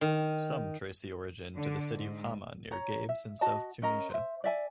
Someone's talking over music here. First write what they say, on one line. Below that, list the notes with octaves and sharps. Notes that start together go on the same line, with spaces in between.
Some trace the origin to the City of Hamma near Gabes in South Tunisia.
D#3
D3
G#2
C#5 A#5
E5
F#4 D#5 A5
C#4 A#4 D#5 A#5
C5 E5
D5 E5 G#5